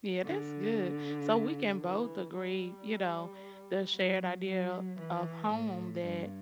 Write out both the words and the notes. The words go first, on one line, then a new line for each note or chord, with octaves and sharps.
Yeah, that's good. So we can both agree, you know, the shared idea of of home that,
D3
E3
G3
F#3
F#3
E3
A2
G2